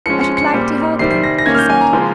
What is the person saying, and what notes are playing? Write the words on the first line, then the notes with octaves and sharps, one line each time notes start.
'I should like to help him,' she said.
F3 G#3 C#4 C#7
C#7
C#7
A#2 G3 C4
C3 D#3 G3 C4 C7
C7
A#6
A#6
D#3 A#3 C#4 G#6
F6
G6
G#5
A#5
C#3 F3 G#3 C4